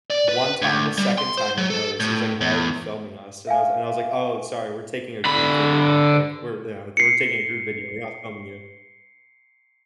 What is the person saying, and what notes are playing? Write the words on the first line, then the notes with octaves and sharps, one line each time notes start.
One time, the second time he noticed, he was like, "Why are you filming us?" and I was and I was like, "Oh, sorry, we're taking a group video," like, "We're" yeah, "We're taking a group video. We're not filming you."
D5
B4
D2
G3
C6
C5
F#3
A4
A2
E2
E5 F5 G#5
D3 B5
C7 C#7